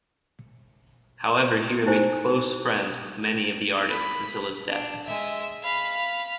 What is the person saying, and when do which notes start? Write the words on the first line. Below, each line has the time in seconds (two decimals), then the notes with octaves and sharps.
However, he remained close friends with many of the artists until his death.
1.86 D#4 E4 G4 C5 G#5
3.90 B5
4.70 D4
5.05 G#3 E5
5.62 F5 B5